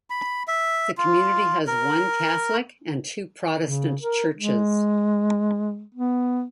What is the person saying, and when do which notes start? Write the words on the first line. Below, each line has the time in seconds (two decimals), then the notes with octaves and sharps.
The community has one Catholic and two Protestant churches.
0.10 B5
0.48 E5
0.98 F4
1.67 A#4
3.60 C#3
4.02 A#4
4.37 G#3
5.95 B3